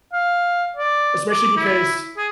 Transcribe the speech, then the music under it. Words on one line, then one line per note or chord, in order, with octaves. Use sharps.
especially because,
F5
D5
D6
E4
G#4